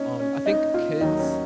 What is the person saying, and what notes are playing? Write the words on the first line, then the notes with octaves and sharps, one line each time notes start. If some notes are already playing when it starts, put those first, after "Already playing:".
um I think kids
Already playing: C#4 D#4
C#4
D#4
F4
D#2 D#3 F#3 D#4
C#4